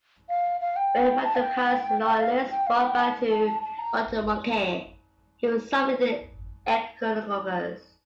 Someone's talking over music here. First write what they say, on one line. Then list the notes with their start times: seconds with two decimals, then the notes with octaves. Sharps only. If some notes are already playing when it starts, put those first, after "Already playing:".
When Mandukhai's loyalists brought back Batumongke, he was suffering echinococcus.
0.29 F5
0.61 F5
0.76 G5
1.24 A5
1.35 F5
1.40 G5
2.12 E5
2.19 F5
2.51 G5
2.67 F5
2.83 G5
2.98 A5
3.31 A5
3.47 A5
3.63 A5
3.79 A#5